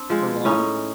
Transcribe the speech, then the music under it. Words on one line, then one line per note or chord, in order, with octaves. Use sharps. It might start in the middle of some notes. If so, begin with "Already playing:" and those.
"For long?"
Already playing: C4 D4
F3 G#3
A2 C#4 D#4